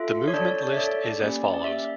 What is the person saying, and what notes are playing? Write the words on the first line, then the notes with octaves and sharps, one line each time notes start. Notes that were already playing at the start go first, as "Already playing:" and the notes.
The movement list is as follows.
Already playing: F4 A4 E5
C#5
D4 A4 D5
D5
C#5
E5
D4 A4 D5
A#3 C#4 G4
D5
A#3 C#4 G4 E5